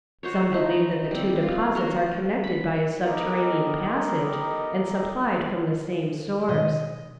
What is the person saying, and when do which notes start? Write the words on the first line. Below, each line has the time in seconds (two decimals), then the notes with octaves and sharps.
Some believe that the two deposits are connected by a subterranean passage and supplied from the same source.
0.23 F#4 C5 C#5
0.52 E3 D#4
1.11 G3 C4
1.43 F4
1.75 F#4 A#4 C6
2.44 B5
3.04 B3 D#4 G4 A4 A#4 D#5
6.49 B2 D#3 D#5